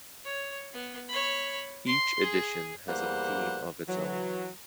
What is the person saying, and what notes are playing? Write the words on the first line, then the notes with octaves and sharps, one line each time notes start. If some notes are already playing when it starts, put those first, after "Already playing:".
Each edition has a theme of its own.
C#5
B3
C#5 B5
C6
G#4
E2 G3 A#3 C5 F#5
E3 F#3